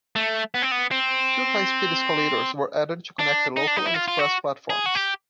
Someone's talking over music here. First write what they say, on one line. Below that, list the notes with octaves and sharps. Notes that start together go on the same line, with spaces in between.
Two high speed escalators were added to connect the local and express platforms.
A3
B3
C4
B3
C4
D4
D#4
D4
D#4
E4
F4
F4
F#4
G#4
F#4
G4